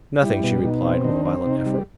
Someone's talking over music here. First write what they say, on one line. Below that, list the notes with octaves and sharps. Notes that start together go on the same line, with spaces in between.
"Nothing," she replied with a violent effort.
G3 E4
B2
B2 D#4
C4
D#3 D4
C4
C3 D#4
G3